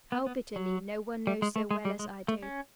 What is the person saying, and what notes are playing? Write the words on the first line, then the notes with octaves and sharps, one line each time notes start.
How bitterly no one knows so well as I do.
B3
B3
F#3
G3
G#3
A3
G#3
G3
G#3
A3
C#4